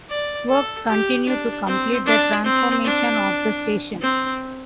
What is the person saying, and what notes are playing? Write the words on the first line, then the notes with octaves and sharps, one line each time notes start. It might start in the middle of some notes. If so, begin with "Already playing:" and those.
Works continue to complete the transformation of the station.
D5
A4
G4
D4
C4
D4
C4
D4
C4